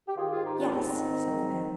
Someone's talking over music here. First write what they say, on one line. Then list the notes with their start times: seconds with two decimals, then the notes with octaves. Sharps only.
"Yes," said the man.
0.07 G4
0.15 D#3 F4 G#4
0.30 G#2 F4 G#4
0.44 D#4 G4
0.54 D#3 D4 F4
0.72 G#2 C4 D#4
0.92 D#3
1.10 D#3
1.29 G#2
1.48 D#3